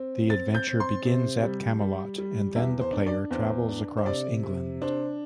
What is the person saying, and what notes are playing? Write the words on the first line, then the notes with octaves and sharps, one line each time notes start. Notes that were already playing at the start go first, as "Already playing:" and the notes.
The adventure begins at Camelot and then the player travels across England.
Already playing: C4
C4 A6
G6
C4
C6
C3
G3
G3
G3
E2 E5
C5
D4
D5
E2 C5
D4
C5
C3 D5
C3
D4 C5